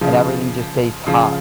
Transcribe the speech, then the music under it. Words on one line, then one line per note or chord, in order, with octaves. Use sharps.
and everything just tastes hot.
C#3 F3
C#3 F3